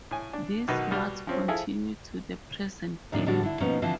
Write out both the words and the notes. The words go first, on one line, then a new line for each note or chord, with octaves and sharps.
These wards continue to the present day.
A2 G#5
D4
B1 B2 D#3 D#4 B4
B2 G3 F6
F3 C4 C#4
F3 E4 F4 G#4 A4
D#2 A2 D#3 A#3 D4
A2 D3 E3 G3 D4 F#4
D3 E4
B2 F3 A#3 B3 C#4 D#4
D3 E3 F3 C4